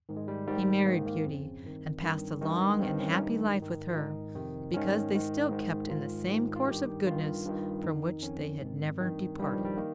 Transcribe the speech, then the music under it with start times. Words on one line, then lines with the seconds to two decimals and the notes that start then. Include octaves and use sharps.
He married Beauty, and passed a long and happy life with her, because they still kept in the same course of goodness from which they had never departed.
0.09 G#2 D#3
0.17 G#3
0.28 G3
0.47 G#2 D#3 G3
0.86 G#2 D#3 A#3
1.06 A#3
1.25 F2 C#3 C4
1.64 G2 D#3
2.02 G2 D#3
2.41 G2 D#3
2.80 G2 D#3 C4
3.00 C#4
3.11 C#4
3.18 G2 D#3 D#4
3.57 G#2 D#3
3.90 F4
3.96 G#2 D#3 D#4
4.35 F2 C3 D#3
4.74 G#2 D#3 C#4
5.13 G#2 D#3
5.51 G#2 D#3
5.90 G#2 D#3 F4
6.29 G#2 D#3
6.56 F4
6.68 G2 D#3 G4
7.06 G2 D#3 F4
7.45 G2 D#3
7.84 F2 D#3 D#4
8.23 F2 D#3 C#4
8.61 G#2 D#3 C4
9.00 G2 D#3
9.39 G2 D#3 G3
9.52 F3
9.65 G3
9.77 D#3 A#3